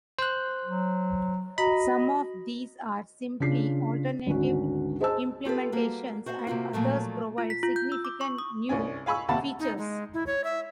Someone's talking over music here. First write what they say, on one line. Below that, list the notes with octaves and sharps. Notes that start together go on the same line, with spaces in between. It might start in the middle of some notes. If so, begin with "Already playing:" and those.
Some of these are simply alternative implementations, and others provide significant new features.
C5 F#6
F#3
F#4 D#5 A#5 B5
C#3 D4 F4 B6 C7
G#1 D2 C#4 F#4
G#4 C5 D#5 A5 E6
F4 G4 A4 B4
G3 A#3 F#4
F#4 C5 D#5 F5 F#5
C3 A#3 F4 F#4
A#2 F3 F#3 A3
F4
B6
F4
G6
E6
D6
C#6
D#6
C2 G2 C#4 G#5
F5 G#5 B5 C#6 E6
D#2 C3 F5 F#5 A5 B5
D#4
G#3
E4
C#5
E5